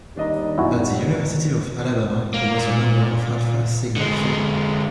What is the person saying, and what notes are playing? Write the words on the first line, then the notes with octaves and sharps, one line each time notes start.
At the University of Alabama he was a member of Alpha Sigma Phi.
D#2 G3 D4 D#5 A#5
F#2 B2 E4 F#4 G#5
A#3
A#2
D3 G#3